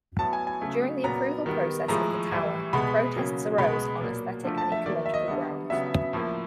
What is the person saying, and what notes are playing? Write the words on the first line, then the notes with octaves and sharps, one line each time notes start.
During the approval process of the tower, protests arose on aesthetic and ecological grounds.
A2 F#3 B3 A5
G#5
G#5
C#3 F#3 A3
A#2 F#3 B3 A#5
D#3 G3 B3
A2 F3 G#3 A#5
A2 E3 G3
B2 G#3 B3 B5
C#3 F#3 A#3
B2 G#3 B3 B5
A#2 F#3 A#3
D3 F3 A3
A5
E5
D#3 F#3 A#3 D5
E5
D#5
D3 G3 B3
C#3 F#3 B3 E5
A2 F3 A#3